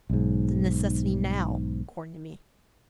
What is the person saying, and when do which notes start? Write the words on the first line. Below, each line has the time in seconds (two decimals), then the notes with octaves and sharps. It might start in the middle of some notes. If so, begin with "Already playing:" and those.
It's a necessity now, according to me.
0.10 B1 G#2